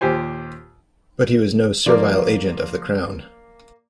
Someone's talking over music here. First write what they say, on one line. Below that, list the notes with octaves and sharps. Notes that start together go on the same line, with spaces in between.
But he was no servile agent of the crown.
D#2 A#2 G4 C5 G#5
F3 A#3 D5 D6